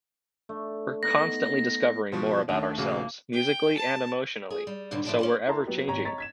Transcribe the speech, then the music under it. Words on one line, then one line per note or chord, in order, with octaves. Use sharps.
We're constantly discovering more about ourselves musically and emotionally, so we're ever-changing.
A3 D4
B3 D#4 A#6
B2 F3 F#4 C5
D#2 D#3 A3 C#4 D4 F#5
A#1 C#3 A#3 F#4
G5
A5
G#4
G3
G#2 B2 D3 F#3 G3
A2 E3 F3 D4 G5 A5
C#4 C5 D5
E4 A4 A#4 A5 A#5 C6
F#3 B3 G4
G#1 G4 C#5 A#5
C#5 D#5 A#5 C#6 A6 B6
G#6 B6 E7